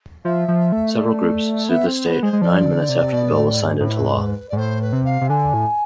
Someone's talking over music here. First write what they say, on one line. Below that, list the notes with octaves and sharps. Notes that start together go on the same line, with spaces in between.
Several groups sued the state nine minutes after the bill was signed into law.
F3 E5
F3
A3
D5
B3 E5
C4
B3 C5
G#3 C5
G#3
F3 D5
D3
C3
B2
G#2
A2
G#2
G#2
A2 B4
G#2
D5
G#2
A2 C5
B4
C3
F5
C3
D3 G#5
A2